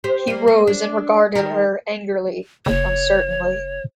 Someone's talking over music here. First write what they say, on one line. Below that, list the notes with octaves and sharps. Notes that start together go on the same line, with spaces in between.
He rose and regarded her angrily, uncertainly.
G4 C5
G3 A#3
A#3
D4
D#3 G3 A#4
F#1 C#5